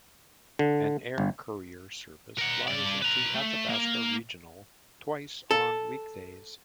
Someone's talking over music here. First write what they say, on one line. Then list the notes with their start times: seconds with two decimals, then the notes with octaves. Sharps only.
An air courier service flies into Athabasca Regional twice on weekdays.
0.59 D3
1.18 G1
2.38 A#4 F#5
2.68 G2 D5
3.02 B4 A#5
3.34 A3
3.69 A#3 A#4
5.51 A4